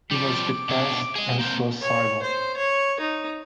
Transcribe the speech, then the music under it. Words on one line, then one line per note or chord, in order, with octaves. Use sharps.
He was depressed and suicidal.
F3 G3 D6
B2 D4
G#4 D#5
A#3 C4 G6
C#5
C5
C#5
D#4